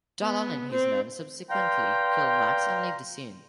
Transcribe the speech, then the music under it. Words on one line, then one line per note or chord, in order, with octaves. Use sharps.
Jalal and his men subsequently kill Max and leave the scene.
B3
C4
B4 D5 F5 G5 A#5 C6